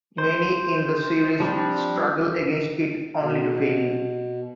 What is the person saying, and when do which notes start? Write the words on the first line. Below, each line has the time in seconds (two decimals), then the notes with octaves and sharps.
Many in the series struggle against it, only to fail.
0.18 C5
1.40 F3 G3 C4 D4
3.19 B2